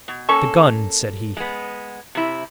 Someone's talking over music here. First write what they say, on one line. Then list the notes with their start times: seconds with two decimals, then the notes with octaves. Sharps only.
"The gun!" said he.
0.08 B2
0.29 A#3 C#4 A4 C#6
1.37 G#3 B3
2.15 C3 E4